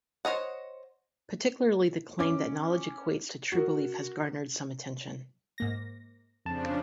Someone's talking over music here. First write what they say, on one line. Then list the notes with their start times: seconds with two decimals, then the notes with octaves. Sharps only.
Particularly the claim that knowledge equates to true belief has garnered some attention.
0.25 C5 C#5 D#5 F#5
2.19 C#4 D6
3.52 F#4 A#4
5.58 G#2 A#3 A#6
6.46 F2 C#3 F3 D4 A5